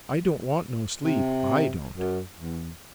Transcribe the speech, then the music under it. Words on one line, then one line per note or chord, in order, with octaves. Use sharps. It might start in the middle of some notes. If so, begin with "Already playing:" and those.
I don't want no sleep, I don't.
C3
F#2
E2